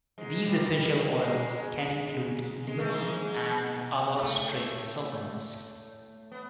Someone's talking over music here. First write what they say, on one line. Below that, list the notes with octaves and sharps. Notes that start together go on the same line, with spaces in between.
These essential oils can include limonene and other straight solvents.
G#2 G#3
G2 G3
G#2 G#3
G#3
A3
G#2 G#3
A2 A3
B3